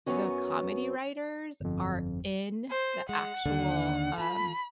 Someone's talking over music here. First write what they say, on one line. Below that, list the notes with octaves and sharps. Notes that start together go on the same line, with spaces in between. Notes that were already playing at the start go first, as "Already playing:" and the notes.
the comedy writers are in the actual, um
F#2 F3 F#3 B3 C#4 F#4
G1 F2
C5
G#3 F#5
D#2 D3 D4
F4 A5 B5